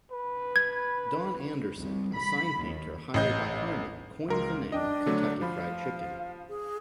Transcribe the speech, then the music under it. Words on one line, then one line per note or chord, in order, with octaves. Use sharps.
Don Anderson, a sign painter hired by Harman, coined the name "Kentucky Fried Chicken".
B4
G#6
C2
B5
D#2
A1 D#5 G6
C#2 A#4 C6
D4 D#5 G5
D3 F#3 A3
F3 F5 B5
G#4